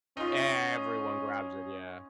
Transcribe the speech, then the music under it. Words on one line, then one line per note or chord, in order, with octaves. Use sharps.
Everyone grabs it, yeah.
C#4 D#4 F4